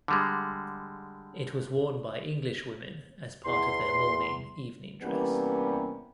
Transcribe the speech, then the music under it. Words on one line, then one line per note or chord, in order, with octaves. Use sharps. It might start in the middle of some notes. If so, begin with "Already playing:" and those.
It was worn by English women as part of their mourning evening dress.
D3 G3 G#3
E2 C6
C3 E3 G3 A#3 B3 C#4